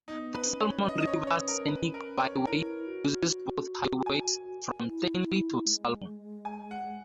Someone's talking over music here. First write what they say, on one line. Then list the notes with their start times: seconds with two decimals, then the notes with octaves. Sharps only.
The "Salmon River Scenic Byway" uses both highways, from Stanley to Salmon.
0.08 B3 D#4
0.34 B4
0.48 C#4
0.61 C#5
0.89 D#5
1.00 D#5
1.07 C#5
1.27 C#5
1.48 A#4
1.68 B4
1.94 A#4
2.21 C#5
2.47 E4 A#4
2.67 E4
2.87 F#4
3.07 F#4
3.27 F#4
4.06 G#5
4.86 E4
5.25 E4
5.66 G#3
6.45 G#5
6.71 F#5